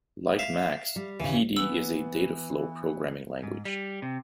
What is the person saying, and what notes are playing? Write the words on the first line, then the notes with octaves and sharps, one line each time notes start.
Like Max, Pd is a data flow programming language.
E5 F5
G3
D#2 C#3 E3
E3 B3 E6 F#7
G#2
G3
C3